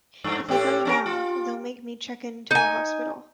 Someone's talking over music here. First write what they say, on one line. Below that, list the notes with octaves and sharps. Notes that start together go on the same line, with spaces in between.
If I go now, they'll make me check into a hospital.
G2
A2 G4
C#4 D4 A#4
F4
D#4 G#5